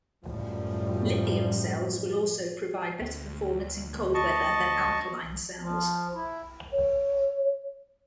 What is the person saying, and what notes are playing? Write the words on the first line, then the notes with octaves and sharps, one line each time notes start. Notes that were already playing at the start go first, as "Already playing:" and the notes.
Lithium cells will also provide better performance in cold weather than alkaline cells.
F#2 A2 F3 G3
D2
D#5 A5 C#6
F3
E4
C#5